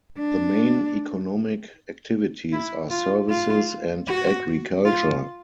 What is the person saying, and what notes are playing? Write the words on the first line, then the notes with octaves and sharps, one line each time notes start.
The main economic activities are services, and agriculture.
D4
E4
F4
F4
F#4
F4